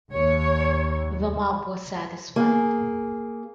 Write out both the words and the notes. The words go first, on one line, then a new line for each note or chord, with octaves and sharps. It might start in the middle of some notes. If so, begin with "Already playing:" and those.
The mob was satisfied.
D#2 C#5
A#3 G#4